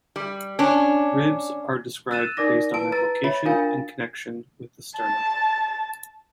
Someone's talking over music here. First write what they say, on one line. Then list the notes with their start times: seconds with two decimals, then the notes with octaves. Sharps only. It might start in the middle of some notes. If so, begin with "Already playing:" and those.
Ribs are described based on their location and connection with the sternum.
0.16 G3
0.59 C#4 D4
2.11 E6 F#6 A6 D#7 E7
2.37 D#4 A#4 D5 D6 A#6
2.74 E4 B4 A5 D7
2.92 B4 A#5 A6
3.24 C#5 E5 B5 A6
3.45 D4 F4 A#4 F5 G#5 A6
4.97 A5